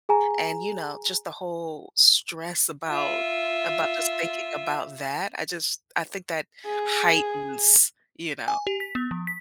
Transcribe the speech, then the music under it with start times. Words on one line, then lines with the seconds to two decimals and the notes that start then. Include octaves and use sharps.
and, you know, just the whole stress about about just thinking about that, I just, I think that heightens, you know.
0.09 G#4 G#5 A#5
2.89 F4 E5
6.66 G#4
8.48 G#5
8.67 G4
8.80 B6
8.95 B3
9.11 F3
9.27 B6